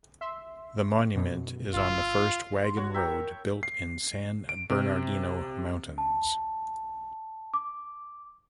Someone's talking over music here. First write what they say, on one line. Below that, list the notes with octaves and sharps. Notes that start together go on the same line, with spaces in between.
The Monument is on the first wagon road built in San Bernardino Mountains.
E5 C6
F#2 B2
G1 F4 E6
C6
F#4 C#5 F#5
E5 G5 A#5
A#4
C7
D7
C3
A5
D6